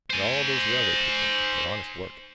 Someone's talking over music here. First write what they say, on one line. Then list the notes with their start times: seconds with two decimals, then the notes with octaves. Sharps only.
And all those railway people, with their honest work!
0.10 C5 G#5